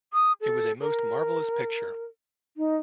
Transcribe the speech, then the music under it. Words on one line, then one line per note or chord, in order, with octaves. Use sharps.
It was a most marvelous picture.
D#6
A4
A#4
D#4